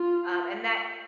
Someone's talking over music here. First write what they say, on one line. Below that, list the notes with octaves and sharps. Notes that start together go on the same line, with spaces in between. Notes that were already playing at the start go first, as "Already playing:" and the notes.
um and that
Already playing: F4